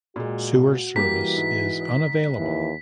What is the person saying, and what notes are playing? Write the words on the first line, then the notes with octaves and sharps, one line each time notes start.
Sewer service is unavailable.
A#2 G#3 F#4
E3 G3 A#3 G4 B6
G#2
D#2 E3